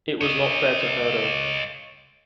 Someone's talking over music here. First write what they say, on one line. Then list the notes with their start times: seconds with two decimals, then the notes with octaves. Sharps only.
It was not fair to hurt her.
0.21 C#5 D#5